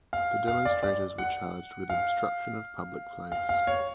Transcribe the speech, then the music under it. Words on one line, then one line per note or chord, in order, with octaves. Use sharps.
The demonstrators were charged with obstruction of public place.
F5
F5
D5
D5
F#5
F5
F5
F5
C#5